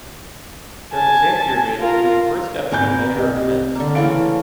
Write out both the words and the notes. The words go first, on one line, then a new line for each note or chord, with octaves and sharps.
During the same period, he was the first deputy Mayor of Mende.
G#5 A5
F4 A#4
G#1 A#4 B4 G#5 D6 G6
C2 G4 D#5
D3 A#3
C#3 E3 A3 F5 D7